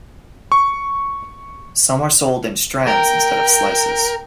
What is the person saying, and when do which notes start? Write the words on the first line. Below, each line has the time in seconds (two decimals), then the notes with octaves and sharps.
Some are sold in strands instead of slices.
0.52 C#6
2.87 A#4 G5